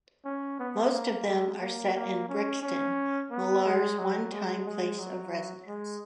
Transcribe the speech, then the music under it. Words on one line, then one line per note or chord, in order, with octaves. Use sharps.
Most of them are set in Brixton, Millar's one-time place of residence.
C#4
B3
A#3
G#3
A#3
A#3
C#4
C#4
B3
G#3
F#3
G#3
G#3
F#3
G#3